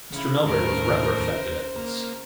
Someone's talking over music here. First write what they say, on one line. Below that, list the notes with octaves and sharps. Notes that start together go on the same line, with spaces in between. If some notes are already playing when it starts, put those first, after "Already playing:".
Mr. Melbury was rather affected at this.
C#3 E4
D#2 A2 A#4 C5
A#3